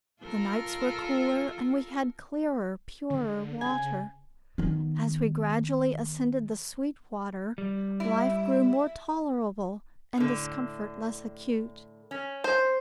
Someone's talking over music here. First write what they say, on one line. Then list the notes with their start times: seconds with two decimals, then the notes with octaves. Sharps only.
The nights were cooler, and we had clearer, purer water. As we gradually ascended the Sweetwater, life grew more tolerable and discomfort less acute.
0.22 F4 A4 A#4
3.10 D3
3.61 C#3 G#5
4.58 D#3 B3
7.58 G3
8.00 E4
10.18 A2 D3
12.11 C#4
12.44 C5